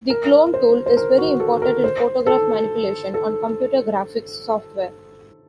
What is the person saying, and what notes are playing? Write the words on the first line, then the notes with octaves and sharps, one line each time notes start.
The "Clone" tool is very important in photograph manipulation on computer graphics software.
A#4
C5
C5
A#4
F#4
A4
A#4
C5
A4
A4